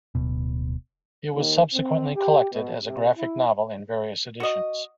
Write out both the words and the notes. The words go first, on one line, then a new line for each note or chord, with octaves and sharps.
It was subsequently collected as a graphic novel in various editions.
D1 B2
D#2
C4
G4
B2
C3
E4
F#4 D#5